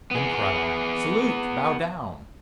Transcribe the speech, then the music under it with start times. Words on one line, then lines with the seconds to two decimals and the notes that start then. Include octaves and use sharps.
Then cried I, "Salute! Bow down!"
0.11 B3 G#4